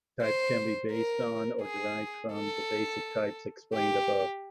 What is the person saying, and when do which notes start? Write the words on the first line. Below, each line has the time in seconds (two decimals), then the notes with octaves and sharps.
Types can be based on, or derived from, the basic types explained above.
0.22 C5
0.91 A#4
1.62 G#4
2.33 A4
3.74 G4